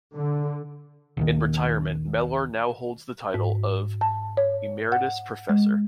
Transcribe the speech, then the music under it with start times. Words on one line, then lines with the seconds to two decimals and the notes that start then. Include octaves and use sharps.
In retirement Mellor now holds the title of Emeritus Professor.
0.14 D3
1.17 A#1 D#2 D#3
3.34 G#2
4.01 A5
4.37 C#5
4.92 F#5
5.49 G#3